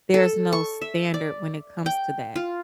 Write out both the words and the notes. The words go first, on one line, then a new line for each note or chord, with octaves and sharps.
there's no standard when it comes to that.
A4
C#6
E5
D5
G5
F4